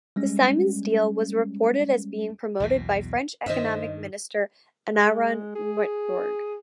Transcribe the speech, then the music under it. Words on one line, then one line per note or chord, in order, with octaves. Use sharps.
The Siemens deal was reported as being promoted by French economic minister Arnaud Montebourg.
G3 G#3 C#4
B1 E2 B2
G2 D#3 C5 D#5 E5
G#3
G#4